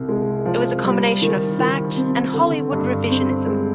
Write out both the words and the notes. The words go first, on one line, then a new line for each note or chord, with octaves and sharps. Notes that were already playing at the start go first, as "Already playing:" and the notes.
It was a combination of fact and Hollywood revisionism.
Already playing: C2
G#3
F3
G3
D#3
D#3
C4
D3
G2
C4
G#3